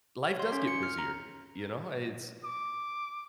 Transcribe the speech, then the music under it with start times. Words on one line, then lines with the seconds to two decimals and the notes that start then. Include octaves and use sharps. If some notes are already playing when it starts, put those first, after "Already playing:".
life does get busier, you know, it's
0.28 C#5
0.40 C6
0.52 C#4
0.68 C#7
0.83 F6
0.98 A#5
2.45 D6